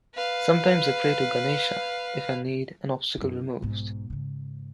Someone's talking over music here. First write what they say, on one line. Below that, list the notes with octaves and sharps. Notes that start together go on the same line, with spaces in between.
Sometimes I pray to Ganesha if I need an obstacle removed.
B4 F5
F#2 E4
B1 G#2
G#2 C#3